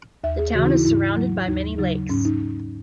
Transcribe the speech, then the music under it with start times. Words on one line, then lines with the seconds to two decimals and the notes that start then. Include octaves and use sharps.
The town is surrounded by many lakes.
0.24 D#2 E5
0.39 G#4
0.54 C#3 E3 F#4
0.65 D#4
0.70 E4
0.85 G#2 E4
1.16 F#3
1.48 D#2 D#4
1.78 C#3 F#3 D#4
2.09 G#2 C#4
2.25 D#4